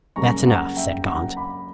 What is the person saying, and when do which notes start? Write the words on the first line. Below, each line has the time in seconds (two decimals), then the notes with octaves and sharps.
"That's enough," said Gaunt.
0.16 F#2 C#3 G3 A#3 A#5 C#6
0.47 F#5 A#5
0.77 E5 G5
1.07 F#5 A#5
1.37 B5 D6